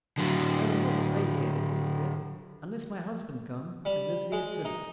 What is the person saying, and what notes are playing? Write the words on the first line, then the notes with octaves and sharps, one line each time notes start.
"I will not stay here," she said, "unless my husband comes and lives here too."
D3 F#3
G3
G#3
D#4